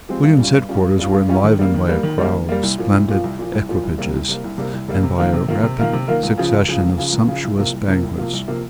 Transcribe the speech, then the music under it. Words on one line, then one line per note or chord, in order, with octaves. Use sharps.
William's headquarters were enlivened by a crowd of splendid equipages and by a rapid succession of sumptuous banquets.
F3 G#3 C4 G4
G2
G3 C#4 F4
G2
G3 C#4 F4
G2
G3 C#4 F4
G2
G3 C#4 F4
D#3
G3 A#3
D#3
G3 A#3
D#3
G3 A#3
D#3
G3 A#3
C2
A#2 F3
C2
A#2 F3
C2
A#2 F3
C2
A#2 F3
C2
C3 G3 A#3
C2
C3 G3 A#3
C2
C3 G3 A#3
C2
C3 G3 A#3
C3
D#3 A#3 F4 A#4
C3
D#3 A#3 F4 A#4
C3
D#3 A#3 F4 A#4
C3
D#3 A#3 F4 A#4
C#2
C#3 F3
C#2
C#3 F3
C#2
C#3 F3
C#2
C#3 F3
C2
C3 F3 A#3
C2
C3 F3 A#3
C2
C3 F3 A#3
C2
C3 F3 A#3